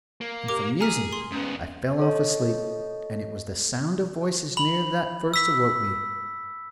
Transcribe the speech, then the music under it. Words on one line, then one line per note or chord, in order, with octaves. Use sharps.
And from musing I fell off asleep; and it was the sound of voices near that first awoke me!
A#3
G4 A#4 D6
G#4 A#5 F6 B6
C6
G#2 B3 C#4
A4 C#5 D#5
B5 F#7
E6 B6